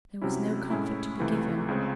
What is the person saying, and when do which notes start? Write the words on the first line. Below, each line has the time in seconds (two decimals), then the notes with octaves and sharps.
There was no comfort to be given.
0.22 C3 F#3 C#4 E4
0.70 A2 G#3 C#4 E4
1.19 C#2 C3 E3 A3
1.68 C#2 C#3 G#3 C4